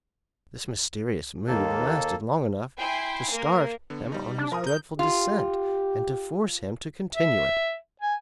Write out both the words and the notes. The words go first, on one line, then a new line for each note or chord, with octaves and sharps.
This mysterious mood lasted long enough to start him on his dreadful descent and to force him to continue it.
D#2 A#3 A4
E4 G5 G#5 C6 C7
A#3 A#4
D3 B3
G3 D#4
D4
F3 A#4 A#5 D#6
G6
F4 G4
E5
G#5